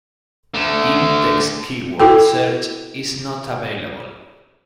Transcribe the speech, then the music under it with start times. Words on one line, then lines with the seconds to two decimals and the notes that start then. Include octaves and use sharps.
In-text keyword search is not available.
0.54 D3 A3
2.00 E4 F#4 A4 G5